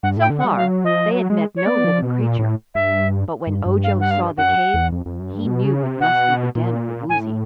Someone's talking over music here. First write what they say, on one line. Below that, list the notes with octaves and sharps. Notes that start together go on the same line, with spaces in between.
So far they had met no living creature, but when Ojo saw the cave he knew it must be the den of the Woozy.
G2 F#5
A2 G5
D3
F#5
G3
F#3 F5
F3 D#5
F#3
G#3
C#5
B3 D5
F3
B2
A#2
A2
G2 E5
G2
G2
F5
F#5
F5
F#2 F#5
E2
F2
F2
F#2
G2
B2
C#3
C3
B2 F#5
A#2
A2 G#5